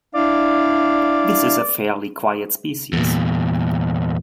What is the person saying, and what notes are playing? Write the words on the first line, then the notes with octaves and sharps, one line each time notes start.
This is a fairly quiet species.
D4 E4 D5 F5
E2 A#2